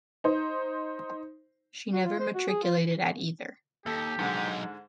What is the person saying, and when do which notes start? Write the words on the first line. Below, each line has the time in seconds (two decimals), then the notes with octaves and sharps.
She never matriculated at either.
0.24 D#4 C5
1.93 F#4
2.05 F4
2.19 C5
2.35 F#4
2.48 G#4
2.63 F4
3.86 D#2 G4 A4
4.19 G#2 D3 F#3 G#3 D#4